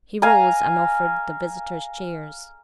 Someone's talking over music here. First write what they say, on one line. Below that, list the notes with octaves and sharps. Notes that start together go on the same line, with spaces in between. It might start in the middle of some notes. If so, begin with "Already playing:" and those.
He rose and offered the visitors chairs.
F5 G#5 A#5